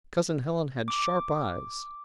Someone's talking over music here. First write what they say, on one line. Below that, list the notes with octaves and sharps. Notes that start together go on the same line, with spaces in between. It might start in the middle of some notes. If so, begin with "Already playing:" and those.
Cousin Helen had sharp eyes.
D6